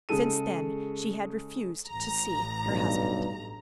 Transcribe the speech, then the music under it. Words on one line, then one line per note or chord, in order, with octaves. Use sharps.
Since then she had refused to see her husband.
C#3 G#3 A4 D#7
A1 A#5
B1 G2